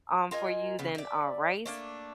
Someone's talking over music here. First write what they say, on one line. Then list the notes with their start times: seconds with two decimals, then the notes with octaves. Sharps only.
um, for you than, uh, rice,
0.31 F4 A#4 D#5 G#5
0.79 C#3 B3 B4
0.95 D5 E5
1.66 A3 A#3 D4